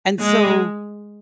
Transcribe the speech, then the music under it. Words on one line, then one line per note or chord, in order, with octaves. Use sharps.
And so,
G#3